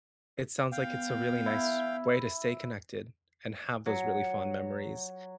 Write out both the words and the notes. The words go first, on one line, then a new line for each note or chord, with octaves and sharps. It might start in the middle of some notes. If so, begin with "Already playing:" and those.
it sounds like it's a really nice way to stay connected and have those really fond memories
B3 F5 G5
E4
F#3